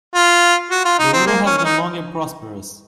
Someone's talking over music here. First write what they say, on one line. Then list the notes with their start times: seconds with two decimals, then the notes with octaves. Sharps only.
The rule has been long and prosperous.
0.15 F4
0.71 F#4
0.85 F4
0.99 D#4
1.13 C4
1.27 A#3
1.46 C#4
1.57 C#4
1.65 D#4